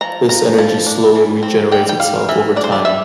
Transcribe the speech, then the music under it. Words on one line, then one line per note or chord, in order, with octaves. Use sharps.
This energy slowly regenerates itself over time.
F3 A#5
F3 A#5
F3 A5
D4
E3
C4
G3 G5
G5
G3 F5
E3 E5
D4 D5
C5
D5
G3 E5